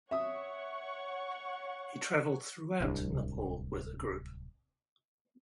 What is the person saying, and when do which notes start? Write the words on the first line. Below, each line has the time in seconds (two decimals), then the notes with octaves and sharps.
He travelled throughout Nepal with the group.
0.11 C#5 E5 F#5 C#6 D#6
2.80 D1 C2 D4